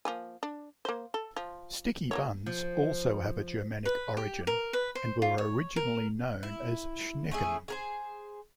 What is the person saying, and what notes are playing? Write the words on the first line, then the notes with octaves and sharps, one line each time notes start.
Sticky buns also have a Germanic origin and were originally known as "Schnecken".
F3 A#3 G#5
D4
A#3 C5
A4
F3
F#3 A#3 C#5
F3
B4
G4
A#4
B4
C5
F4
C#5
A#4
E4
A3 C#4 E4 G#4
G#4 A#4 C5